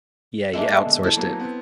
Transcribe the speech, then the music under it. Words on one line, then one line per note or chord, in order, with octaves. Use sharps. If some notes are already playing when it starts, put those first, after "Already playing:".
Yeah, you outsourced it.
G#3 A#3 D4 E5
B2 D3
E4 A4
F#3 A#3 B3
B3 C4